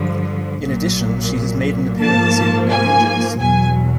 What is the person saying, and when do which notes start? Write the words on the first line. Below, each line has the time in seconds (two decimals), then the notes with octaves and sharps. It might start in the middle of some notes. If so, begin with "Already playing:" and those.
In addition, she has made an appearance in "No Angels".
Already playing: G2 D3 F3
0.61 A#1 A#2 F#3
2.01 G#2 F3 A#3 A5
2.70 G#5
3.39 E2 B2 F#3 G#5